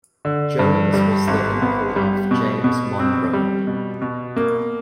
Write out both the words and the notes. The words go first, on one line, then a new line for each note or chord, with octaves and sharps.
Jones was the uncle of James Monroe.
D3
G2
G3
G#1
B3
G3
B2
B2
C4
G3
B2
B2
A#3